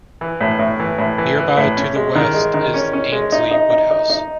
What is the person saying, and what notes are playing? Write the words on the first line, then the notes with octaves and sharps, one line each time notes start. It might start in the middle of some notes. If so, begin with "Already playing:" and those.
Nearby to the west is Annesley Woodhouse.
E3
A2
A2
E3
A2
E3
E3
A2
C#4
G#3
D#3
G#3
D#3
C#4
C#4
G#3
D#4
D#4
D#4
D#4
D#4